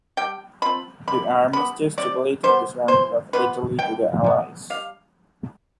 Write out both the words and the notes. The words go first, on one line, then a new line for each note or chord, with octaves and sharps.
The armistice stipulated the surrender of Italy to the Allies.
G3 G5
C4 F4 B5
C3 B5
G3 B3 B5
C3 D5
G3 B3 C5
E3 C5
G3 B3 F4 B4
E3 G5
G3 B3
G3 F5